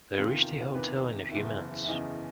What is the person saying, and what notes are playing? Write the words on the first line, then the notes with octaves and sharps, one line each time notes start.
They reached the hotel in a few minutes.
E2 C3 D#3 F4
E2 C3 D#3 B4
F#1 E2 C#3 E3 E5
E5
F#1 E2 C#3 E3 D#5